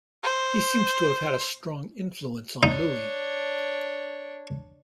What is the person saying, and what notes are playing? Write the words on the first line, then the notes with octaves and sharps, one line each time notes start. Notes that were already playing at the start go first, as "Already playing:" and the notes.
He seems to have had a strong influence on Louis.
C5
D4 D#4 C#5